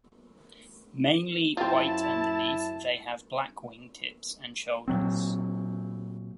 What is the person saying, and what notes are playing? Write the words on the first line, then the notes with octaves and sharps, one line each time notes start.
Mainly white underneath, they have black wingtips and shoulders.
F#2 C4 E4 F4 A5
A#2 F#3 C4